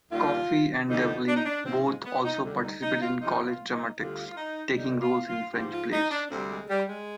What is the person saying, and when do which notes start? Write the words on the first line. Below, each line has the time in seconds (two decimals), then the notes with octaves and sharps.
Coffey and Devlin both also participated in college dramatics, taking roles in French plays.
0.11 D#2 D#3 G3 F4
0.89 D2 D3 F3 D#4
1.27 D4
1.37 D#4
1.45 D4
1.65 G#2 F3 C4
1.85 G#3
2.05 B3
2.24 D#4
2.44 D2 D3 G3
2.63 D#4
2.82 D#4
3.01 F4
3.20 F2 C3 F3 D#4
3.47 F4
3.73 D#4
3.98 D2 D3 G3 F4
4.27 F4
4.37 D#4
4.76 D2 C3 G3 D#4
5.02 F4
5.27 F4
5.52 G#2 F3 G4
5.73 F4
5.92 D#4
6.11 D4
6.30 D2 C3 G3 C4
6.50 G#3
6.69 G3
6.88 G#3